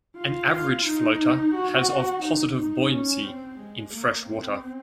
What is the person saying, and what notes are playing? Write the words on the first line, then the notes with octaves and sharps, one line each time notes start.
An average floater has of positive buoyancy in fresh water.
F4
D#4
F#4
D#4
D#4
C#4
C4
G#3
A#3
C4